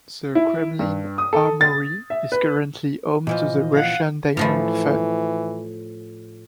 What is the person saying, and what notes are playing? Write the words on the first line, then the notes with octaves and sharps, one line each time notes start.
The Kremlin Armoury is currently home to the Russian Diamond Fund.
E4
G2
D#6
A4
A6
E5
B4
A#2 E3 F3 D#5
F5 F#5
A2 E3 F3 A3